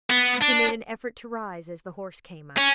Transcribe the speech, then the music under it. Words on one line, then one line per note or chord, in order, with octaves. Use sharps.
She made an effort to rise as the horse came up.
B3
D4
C#4